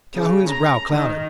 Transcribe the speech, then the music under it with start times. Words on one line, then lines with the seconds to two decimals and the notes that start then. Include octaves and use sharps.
Calhoun's brow clouded.
0.17 C#3
0.49 A#5
0.93 D#3